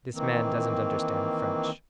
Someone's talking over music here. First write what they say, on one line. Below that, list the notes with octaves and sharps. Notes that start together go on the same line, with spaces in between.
"This man doesn't understand French."
D#3 E3 A#3 C4